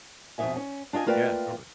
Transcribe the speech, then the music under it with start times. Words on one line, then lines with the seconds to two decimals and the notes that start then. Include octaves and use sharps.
Yeah, totally.
0.38 F2 B2 C4 D#4 E5 G#5
0.56 C#4
0.93 D4 F4 D#5 G#5
1.06 A3 A#3 F4 B4 D5 G5